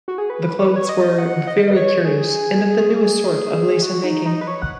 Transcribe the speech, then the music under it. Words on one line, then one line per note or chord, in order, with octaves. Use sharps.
The clothes were "very curious and of the newest sort of lace and making".
F#4
G#4
B4
C#5
B4
C#5
D#5
F#5
D#5
B4
C#5
G#4
F#4
D#4
D#4
B4
C#5
F#5